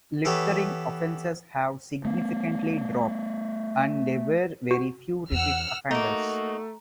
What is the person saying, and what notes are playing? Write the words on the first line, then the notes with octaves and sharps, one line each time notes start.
Littering offenses have significantly dropped, and there were very few repeat offenders.
E3 B3 G4 A4 C#5
A3 B3
F#4
E2 F#5 E6 F6
A3 A#3 D#4 F#4 A#5